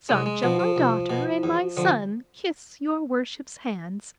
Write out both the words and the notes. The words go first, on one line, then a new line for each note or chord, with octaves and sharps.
Sancha my daughter, and my son, kiss your worship's hands.
C2 G#3
G#3
B2 F3
F3
C2
B2
E2
D3 F3